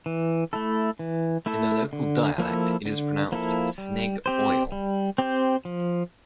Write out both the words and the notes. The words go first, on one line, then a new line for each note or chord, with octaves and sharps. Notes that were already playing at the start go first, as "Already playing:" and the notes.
In the local dialect it is pronounced 'snig oil'.
E3
A3 E4 A4
E3
A3 E4 A4
D3
F3 A#3 E4 A4
D3
F3 A#3 E4 A4
G3
C4 G4 C5
G3
C4 G4 C5
F3